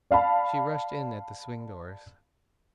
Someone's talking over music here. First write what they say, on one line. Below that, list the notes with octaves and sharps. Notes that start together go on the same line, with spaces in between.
She rushed in at the swing doors.
D5 F5 A5 B5